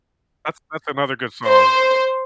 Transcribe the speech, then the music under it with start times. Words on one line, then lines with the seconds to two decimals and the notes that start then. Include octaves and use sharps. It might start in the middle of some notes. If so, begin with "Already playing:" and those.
That's that's another good song.
1.48 C5